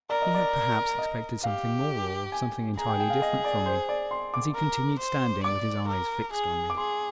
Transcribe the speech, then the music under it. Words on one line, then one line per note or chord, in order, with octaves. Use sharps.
He had perhaps expected something more or something entirely different from me, as he continued standing with his eyes fixed on me.
A#4 D5
D#5
D5
D#5
G4 F5
G#5
G#4 A#5
G5
G5
F5
D#5
D5
C5
D5
C6
D6
A#4
C5
D5 D6
A#4
G#4
D6
G#4 C6